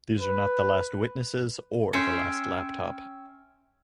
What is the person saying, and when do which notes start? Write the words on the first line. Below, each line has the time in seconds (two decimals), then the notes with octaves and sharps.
These are not the last witnesses or the last laptop.
0.20 B4
1.93 C#4 E5 G5 C6